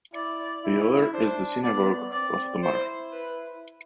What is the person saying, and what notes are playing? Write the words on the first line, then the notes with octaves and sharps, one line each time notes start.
The other is the Synagogue of Tomar.
E4 D5
E4
D4 C5
B3 D5
C4 D5
E4 C5
B4